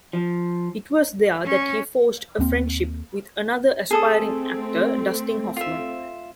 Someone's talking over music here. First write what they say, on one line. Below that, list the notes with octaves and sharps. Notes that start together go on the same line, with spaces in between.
It was there that he forged a friendship with another aspiring actor, Dustin Hoffman.
F3
C#4
D#2 A#3 C4
A3 C4 G#4 A4 D#6
F4 E5